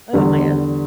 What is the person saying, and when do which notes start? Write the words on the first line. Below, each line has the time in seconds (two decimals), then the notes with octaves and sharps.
Oh, man.
0.13 E2 D3 G3